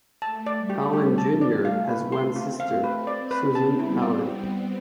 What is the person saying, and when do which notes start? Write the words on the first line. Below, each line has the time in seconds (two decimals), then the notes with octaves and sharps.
Allen Junior has one sister, Susan Allen.
0.22 A3 A5
0.46 D5
0.59 G3
0.70 G4
0.93 G4
1.18 A5
1.41 D5
1.65 A3 F5
1.89 B4
2.12 C6
2.36 C4 F4
2.60 F5
2.84 B4
3.07 C4 D5
3.31 B4
3.43 B3
3.55 A5
3.78 G3 E4
4.02 D5